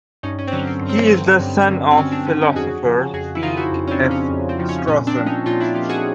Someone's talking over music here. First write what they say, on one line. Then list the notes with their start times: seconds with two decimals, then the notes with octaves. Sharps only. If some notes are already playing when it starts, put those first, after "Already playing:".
He is the son of philosopher P. F. Strawson.
0.23 G2 C#4 D#4
0.39 C#4
0.47 C4
0.52 D3 F#3 C#4
0.67 C4
0.81 G2
0.89 C4
1.11 D3 F#3
1.40 G2
1.69 D3 F#3
1.91 C4
1.97 G2 C#4
2.12 C4 D4
2.26 D3 F#3 C#4
2.41 C#4 D#4
2.55 F2 F#4 G#4
2.84 C#3 F3
3.14 F2 F#4 G#4
3.35 E4
3.43 C#3 F3 D#4 F4
3.57 E4 F#4
3.72 F2
3.87 C#4
3.91 C4 D4
4.01 C#3 F3
4.11 C#4
4.30 F2
4.49 C4
4.59 C#3 F3
4.69 C#4
4.87 A#2 C#4
5.07 C4 D4
5.17 F3
5.26 C#4 D#4
5.46 A#2 D#4 F4
5.60 D4 E4
5.75 F3 F4 G4
5.89 F#4 G#4